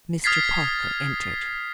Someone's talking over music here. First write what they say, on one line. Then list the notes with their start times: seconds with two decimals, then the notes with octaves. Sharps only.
Mr. Parker entered.
0.24 D#6 F6 G#6 A6 B6 C7